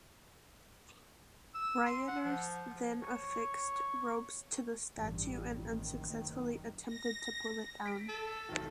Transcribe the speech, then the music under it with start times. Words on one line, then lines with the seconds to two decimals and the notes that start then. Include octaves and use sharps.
Rioters then affixed ropes to the statue and unsuccessfully attempted to pull it down.
1.54 E6
1.86 C6
2.08 F#5
2.25 F3
3.03 C#5
4.98 A1 G2
5.54 F#1 D#3
6.86 A#6
7.86 B6 D7
8.09 A4
8.49 B1 D#3